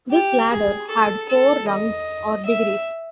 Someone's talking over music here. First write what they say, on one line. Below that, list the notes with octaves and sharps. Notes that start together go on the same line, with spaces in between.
This ladder had four rungs or degrees.
G4
G#4
A4
A4
D#5
E5